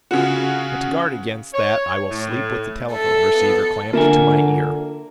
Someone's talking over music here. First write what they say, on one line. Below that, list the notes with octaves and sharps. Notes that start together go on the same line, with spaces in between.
But to guard against that I will sleep with the telephone receiver clamped to my ear.
C#3 F4 F#4
C#5
A2
A4 E5 A5
F3 B3
D3 A#3 F4 E5 G#5